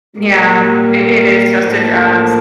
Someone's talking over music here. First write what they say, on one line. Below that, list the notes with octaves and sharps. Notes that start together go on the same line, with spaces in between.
Yeah. I it is just a dress.
A#2 G3 A#3
A2 F3 A#3 D4